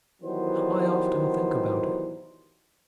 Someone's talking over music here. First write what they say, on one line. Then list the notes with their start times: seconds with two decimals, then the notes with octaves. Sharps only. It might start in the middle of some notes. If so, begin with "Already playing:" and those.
I often think about it.
0.22 D#3 E3 F#3 G3 B3 C5